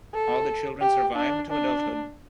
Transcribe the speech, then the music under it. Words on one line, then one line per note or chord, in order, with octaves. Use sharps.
All the children survived to adulthood.
A4
G4
D4
D4